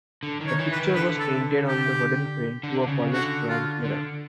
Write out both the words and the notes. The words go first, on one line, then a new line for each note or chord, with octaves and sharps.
The picture was painted on the wooden frame to a polished bronze mirror.
D3
D#3
C#5
E3
B4
D#3
D3 B4
A4
G4
D3
C#3
D3 F#4
F4
D3